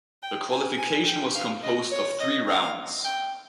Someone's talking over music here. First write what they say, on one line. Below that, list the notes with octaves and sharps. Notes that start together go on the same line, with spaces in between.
The qualification was composed of three rounds.
G5
G#5
G#5
G5
F5
D#5
C#5
D#5
F5
G5